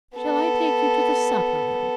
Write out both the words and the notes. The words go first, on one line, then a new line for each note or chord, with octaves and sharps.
Shall I take you to the supper-room?'
B3 A4